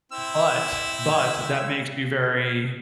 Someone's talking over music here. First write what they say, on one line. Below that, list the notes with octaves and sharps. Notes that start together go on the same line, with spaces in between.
but but that makes you very,
C4 E4 E6